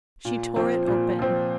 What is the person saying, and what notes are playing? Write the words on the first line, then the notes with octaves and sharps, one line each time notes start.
She tore it open.
A#2
F3 C4
A#2
F3 C4